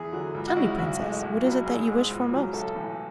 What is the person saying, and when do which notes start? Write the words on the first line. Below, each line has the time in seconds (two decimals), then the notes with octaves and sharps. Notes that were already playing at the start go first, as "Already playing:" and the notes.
Tell me, Princess, what is it that you wish for most?
Already playing: E2 G#4
0.12 D3 F#3
0.34 C#2
0.48 F#4
0.56 C#3 G#3 E4
0.78 B1 F#4
1.00 A2 G#3
1.22 B1
1.44 B2 F#3
1.66 G#1 G#4
1.87 G#2 G#3
2.10 C#2
2.31 C#3 F#3
2.53 B1 A4
2.75 A2 E3